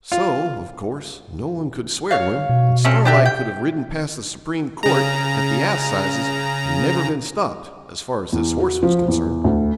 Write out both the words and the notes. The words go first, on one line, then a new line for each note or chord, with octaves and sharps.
So, of course, no one could swear to him, and Starlight could have ridden past the Supreme Court, at the assizes, and never been stopped, as far as this horse was concerned.
F4
C#5 F5
B2
C4 C#4 A4
D4 G4 E5
G5
C#3 A#5
E2
F#4
F3
E2
D2